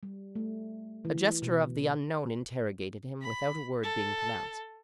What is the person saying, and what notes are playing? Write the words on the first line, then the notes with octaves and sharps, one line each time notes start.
A gesture of the unknown interrogated him, without a word being pronounced.
G3
A3
E3
B2
B5
A4